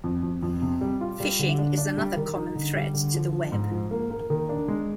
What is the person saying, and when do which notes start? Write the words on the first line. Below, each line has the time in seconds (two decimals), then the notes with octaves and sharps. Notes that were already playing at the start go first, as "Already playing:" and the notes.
Phishing is another common threat to the Web.
0.04 F2
0.23 F2
0.43 F2
0.61 C3
0.81 G3
1.01 F4
1.20 G3
1.39 D3
1.59 D4
1.78 D4
1.97 G3
2.17 D#3
2.35 D#4
2.55 D3
2.74 G3
2.94 D3
3.14 F3
3.32 F3
3.52 G#2
3.71 F3
3.91 A#3
4.10 A#3
4.30 D#3
4.49 D4
4.68 G#3